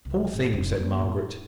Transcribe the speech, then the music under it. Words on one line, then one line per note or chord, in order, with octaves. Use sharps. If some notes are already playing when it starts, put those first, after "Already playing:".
"Poor thing!" said Margaret.
C2
G#1
F1
D#2 F#3
A2